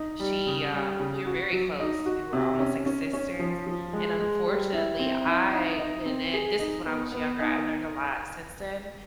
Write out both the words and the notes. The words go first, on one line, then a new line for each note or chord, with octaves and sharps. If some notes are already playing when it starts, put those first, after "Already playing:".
she, um, we were very close, we were almost like sisters, and unfortunately, I and and this is when I was younger, I learned a lot since then.
Already playing: D#4
G3
C#3
G3
C#3
F#4
F#3
D#4
F#4
C3
C#4
C#4
C#4
F3
F3
G#3
G#3
G3
E4
C4
E4
D#4
D#4
C4
G#4
D#4
B3
B3
D#4